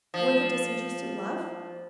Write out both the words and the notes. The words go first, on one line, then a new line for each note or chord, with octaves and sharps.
"With a disinterested love?"
F3